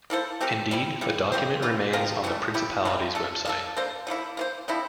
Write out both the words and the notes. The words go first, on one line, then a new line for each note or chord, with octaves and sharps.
Indeed, the document remains on the Principality's website.
A#3 E4 A4 C5
A3 C4 G4 A#4
G3 C4 E4
G3 A#3 E4
F3 C4 G4 C5
E3 A#3 F4
F3 C4 F4 A#4
C3 E3 A3 D4
A3 E4 G4
D3 G3 C4 F4
A3 D4 A4
A#3 F4 A4
A#3 D4 A4 C5
D3 F3 A#3 E4
A#3 F4 C5
D3 F3 C4 E4